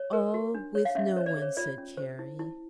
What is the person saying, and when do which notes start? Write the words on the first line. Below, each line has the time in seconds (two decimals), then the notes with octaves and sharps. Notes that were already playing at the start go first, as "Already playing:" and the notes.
"Oh, with no one," said Carrie.
Already playing: C#5
0.13 A#4
0.34 F#4
0.55 D4
0.75 C#5
0.85 F5
0.95 C#4 E5
1.16 C5 C#5
1.26 D5
1.37 G#4
1.42 C#5
1.57 F4 D5
1.78 C#4
1.97 C5
2.19 E4
2.39 E4